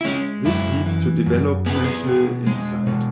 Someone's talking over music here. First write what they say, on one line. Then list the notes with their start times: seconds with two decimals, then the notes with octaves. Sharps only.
This leads to developmental insight.
0.01 E4
0.05 G#3 C#4
0.45 F#2 E4
0.86 E3
1.26 F#2
1.66 B3 G#4
1.75 B4
1.84 G#4
2.07 B2
2.47 G#3
2.87 B2